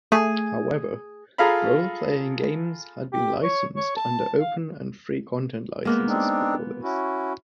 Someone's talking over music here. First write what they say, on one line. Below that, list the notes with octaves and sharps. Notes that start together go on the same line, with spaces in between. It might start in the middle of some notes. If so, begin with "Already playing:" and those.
However, role-playing games had been licensed under open and free content licenses before this.
A3 G#4
F4 G#4 A4 F5 A#5 B5
G4
C#5
C#5
A5
F5
G#3 A#3 B3
C4 D4 D#4
C#4 E4 F#4